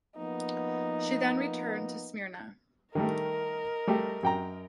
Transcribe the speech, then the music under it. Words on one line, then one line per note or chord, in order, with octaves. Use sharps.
She then returned to Smyrna.
F3 A#3 B3 D#4
D#3 G3 A3 A#4 D#5
G3 A3 G4
F#2 G5 A#5